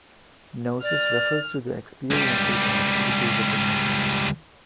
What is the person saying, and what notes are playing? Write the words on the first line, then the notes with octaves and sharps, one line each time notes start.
Noesis refers to the experiences or activities of the nous.
D5 F6
C#2 G3